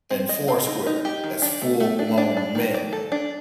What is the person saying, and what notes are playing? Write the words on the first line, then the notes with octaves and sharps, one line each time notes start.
and Four Square as full blown men,
C4
D#5
C4
D#4
D#4
G4
D#3
D4
A3
A3
D4
D4
D4
D#3
D5
A4
D4